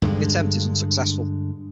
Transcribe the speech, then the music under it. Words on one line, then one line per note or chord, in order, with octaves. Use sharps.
The attempt is unsuccessful.
G2 D3 G#3